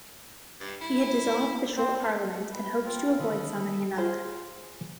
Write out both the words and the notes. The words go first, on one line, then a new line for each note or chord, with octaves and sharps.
He had dissolved the Short Parliament and hoped to avoid summoning another.
G2
E4
C4 C5
B4
G#1 F3 C4 F4 A#4
D3 D#3 A4 D#5 B5
F4 G#4 C5